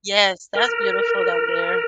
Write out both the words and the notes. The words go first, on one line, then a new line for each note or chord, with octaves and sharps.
Yes, that's beautiful down there.
A#4